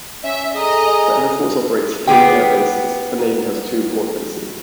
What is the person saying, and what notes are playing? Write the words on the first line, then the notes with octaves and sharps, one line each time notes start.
The air force operates three air bases; the navy has two port bases.
C#4 E5
G#4 A4 D#5 A#5 D#6
B3 G4 G#4 G5